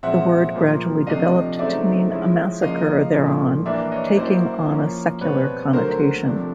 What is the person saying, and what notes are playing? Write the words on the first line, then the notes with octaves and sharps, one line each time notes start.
The word gradually developed to mean a massacre thereon, taking on a secular connotation.
A#2 F3 G#3 C4 E5 F#5
A#2 F3 A#3
C3 F3 A3 D4 D#5 F5
C#3 F#3 A3 C4 D#4 D5 E5
F3 G#3 C#4 E4
C#3 F3 A#3 D#5 F5
A#2 F3 A3
E3 G3 A#3 D4 D5 E5
C#5 D#5
F#3 A#3 C#4 E4 C5 D5
F3 A#3 C#4
B2 G3 C4 B4 C#5
D3 F#3 A3 A#4 C5
C3 F3 A3 D4